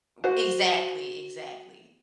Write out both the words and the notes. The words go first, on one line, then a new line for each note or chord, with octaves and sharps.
M exactly, exactly.
F#4 C5